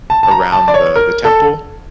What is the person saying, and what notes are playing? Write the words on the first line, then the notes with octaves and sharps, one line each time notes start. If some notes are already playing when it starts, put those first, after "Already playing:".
around the the temple,
A5
A5
A#5
A5
D5
C#5
A#4
A4